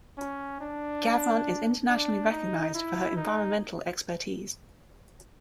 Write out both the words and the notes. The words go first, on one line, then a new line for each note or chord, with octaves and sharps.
Gavron is internationally recognised for her environmental expertise.
C#4
D4
D4
D#4
E4
D#4